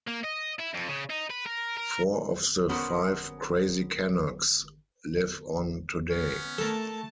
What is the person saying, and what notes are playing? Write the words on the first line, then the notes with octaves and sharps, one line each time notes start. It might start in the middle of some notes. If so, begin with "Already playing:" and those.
Four of the five "Crazy Canucks" live on today.
A#3
D#5
E4
F2
C#3
D#4
B4
A#4
A#4
B3 C#4 F#4 A#4 C5
B3 C#4
A3 A4 A#4 A5